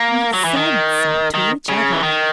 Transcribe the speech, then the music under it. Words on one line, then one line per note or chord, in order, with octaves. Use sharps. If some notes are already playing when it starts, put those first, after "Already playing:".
We said so to each other.
Already playing: A#3
F#3
E3
D#3
D#3
C#3
E3
D#3